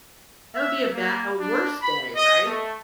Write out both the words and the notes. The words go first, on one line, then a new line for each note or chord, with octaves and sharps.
that would be a bad a worst day, right?
E5
A#3
D4
B5
D#5
A3